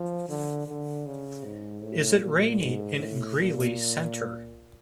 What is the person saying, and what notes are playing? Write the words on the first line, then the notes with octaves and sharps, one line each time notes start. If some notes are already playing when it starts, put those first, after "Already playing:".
Is it rainy in Greely Center?
Already playing: F3
D3
D3
C#3
G#2
A2
A#2
G#2
A2
A#2